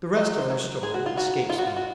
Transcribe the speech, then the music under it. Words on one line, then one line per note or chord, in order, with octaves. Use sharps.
The rest of her story escapes me.
F#3 D#5
C5
F#3
G#3 G#4
F#4
F4
D#3 F#4
D#4 F4
F#4
F4
F#4